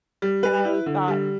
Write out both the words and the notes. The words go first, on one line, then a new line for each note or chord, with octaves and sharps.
and I w thought
G3
B4
E4
D3
G3